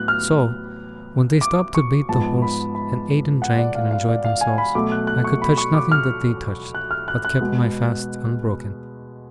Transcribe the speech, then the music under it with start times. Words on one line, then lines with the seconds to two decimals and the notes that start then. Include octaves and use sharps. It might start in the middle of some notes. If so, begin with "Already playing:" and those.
So, when they stopped to bait the horse, and ate and drank and enjoyed themselves, I could touch nothing that they touched, but kept my fast unbroken.
Already playing: A2 F#3 B3 F#6
0.08 F6
1.41 D6
1.75 C#6
2.09 G#2 F3 G#3 B3 A5
2.42 B5
2.75 B5
3.42 F#5
3.58 D5
3.75 F5
3.91 F5
4.09 D5
4.24 F5
4.41 G#5
4.58 B5
4.75 B2 F#3 A3 D6
4.92 F#6
5.07 F#6
5.24 C#6
5.42 B5
5.58 C#6
5.74 D6
5.92 F6
6.75 F#6
6.91 F6
7.08 F#6
7.25 F#6
7.41 B2 G#3 B3